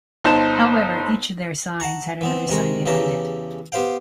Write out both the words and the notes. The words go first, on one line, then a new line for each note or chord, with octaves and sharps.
However, each of their signs had another sign behind it.
G1 D#4 C5 A5 E7
F#5 A5 A#5 C#6
E3 B3 C4
C3 G#3 A#4 C#6
E2 C#3 E3 G4 A5 A#5
B3 G4 C5 F5 G5